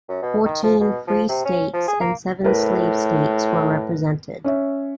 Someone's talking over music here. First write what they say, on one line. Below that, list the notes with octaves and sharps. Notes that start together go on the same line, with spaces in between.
Fourteen free states and seven slave states were represented.
F#2
B2
D#3
F3
B2
F3
C3
C#4
F3
G#4
A#3
A2 A#4 B4
C#4 C#5 E5